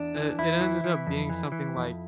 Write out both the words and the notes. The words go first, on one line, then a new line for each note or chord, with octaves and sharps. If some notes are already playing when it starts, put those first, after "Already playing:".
uh, it ended up being something, like,
Already playing: E2 D4
E3
E2 E4
E3
E3
F2
E3
E3
F2